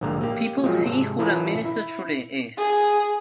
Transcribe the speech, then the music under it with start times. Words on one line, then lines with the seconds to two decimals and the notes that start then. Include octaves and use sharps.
People see who their minister truly is.
0.01 A#1 G#2 D3 A#3 A#5
0.21 A#3 G4
0.64 F3 F#3 G#3 C4
0.84 G#2 C3 A4
1.19 E3 C#4 E4 F4 A4 A#4
1.65 E4
2.57 G#4